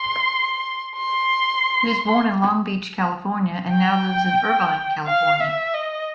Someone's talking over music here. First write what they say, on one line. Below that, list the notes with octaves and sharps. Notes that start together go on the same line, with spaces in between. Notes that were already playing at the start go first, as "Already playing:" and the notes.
He was born in Long Beach, California and now lives in Irvine, California.
Already playing: C6
C6
G5
F5
E5
D#5